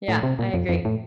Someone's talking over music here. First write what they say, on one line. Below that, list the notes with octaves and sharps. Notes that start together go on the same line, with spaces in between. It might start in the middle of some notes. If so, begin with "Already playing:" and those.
Yeah, I agree.
A2
C3
A#2
F2
F2
A2